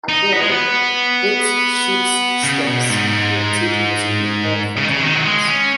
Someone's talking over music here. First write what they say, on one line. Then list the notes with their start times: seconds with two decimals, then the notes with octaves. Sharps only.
Aboard both ships steps were taken to prepare for combat.
0.09 D#4
0.33 B3
0.41 G#3
0.49 B3
2.43 C#3
2.67 B2
2.90 G#2
4.77 C#3
4.84 D#3
4.91 C#3
5.01 D#3
5.15 F#3
5.24 G#3
5.47 C#4